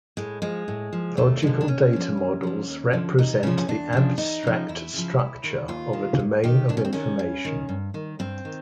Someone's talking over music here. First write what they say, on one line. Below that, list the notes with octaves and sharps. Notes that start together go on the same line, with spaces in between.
Logical data models represent the abstract structure of a domain of information.
A2 G#3
F3 G#3
A2
F3
D#2 A3
D3 F3 G#3
D4
D#2 C#4
D3 F3
D#2
D3 F3
D#2
D3 F3
E2 D#4
C#3 F3 C#4
C#4
E2 D4
C#3 F3
E2 D#4
C#3 F3
E2 E4
C#3 F3
D#2
D#3
D#2 F4
D#3
D#2
D#3 G4
D#2 D4
C#4
C4
D#3 C#4
G2
D#3
G2
D#3
G2 C4
D#3